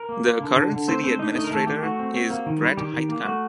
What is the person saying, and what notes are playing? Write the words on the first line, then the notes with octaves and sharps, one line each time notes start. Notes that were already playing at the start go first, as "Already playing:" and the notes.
The current city administrator is Bret Heitkamp.
Already playing: A#4
A#3
A#3
D3
D3
D3
A3 C4 C5
D3 C4 C5
D3 D#4 D#5
A3 D#4 D#5
A#4
D#3 A3 A4
A3 G4
A3 F#4
C4
C4
A#3
D#3
G3
D#3 G4
D#3
A#3
A3 F#4